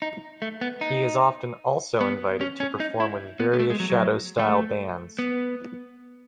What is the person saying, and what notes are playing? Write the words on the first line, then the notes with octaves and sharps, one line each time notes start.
He is often also invited to perform with various Shadows-style bands.
D#4
A3
B3
D#4
B3
C#4
C#4
D#4
E4
B3
B3
A3
G#3
F#3
F#3
A3
B3